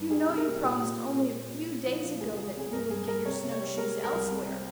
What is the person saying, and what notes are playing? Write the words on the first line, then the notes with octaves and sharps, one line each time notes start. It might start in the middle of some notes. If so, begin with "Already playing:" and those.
'You know you promised only a few days ago that you would get your snow-shoes elsewhere.'
Already playing: G2
G3 G#4
C3
A#4
G3
A#2 G4
A#3
A#2
G#3
A#2
A#2
C#4
F3
F3
C#2 G#4
C#2 G#4
C3 G#4
G2 A#4
G2 G#4
G2 A#4
C3 C#5
C3
C#5
G3
G#3 A#4
G#3
A#4
C2
C3
C4